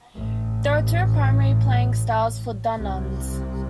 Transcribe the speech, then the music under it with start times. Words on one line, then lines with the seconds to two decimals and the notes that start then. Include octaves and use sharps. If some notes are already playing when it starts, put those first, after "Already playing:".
There are two primary playing styles for dununs.
0.15 A1 A2
2.78 C2 C3